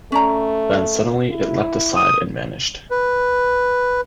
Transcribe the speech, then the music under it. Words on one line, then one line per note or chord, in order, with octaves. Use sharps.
Then suddenly it leapt aside and vanished.
A3 C#4 D5 A#5
E4
D#6
B4